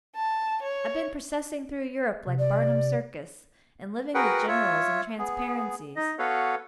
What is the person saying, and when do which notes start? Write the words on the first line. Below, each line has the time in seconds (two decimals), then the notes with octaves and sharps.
I've been processing through Europe like Barnum's Circus, and living with generals and transparencies.
0.15 A5
0.62 C#5
2.26 C3
2.39 D5
4.14 F#4 G#4 A#4 B4 F#5 G5
4.48 F4 C#5 E5
5.19 B3 G#4
5.96 D#4 D#5
6.19 B3 F#4 A4 B4 C#5 F5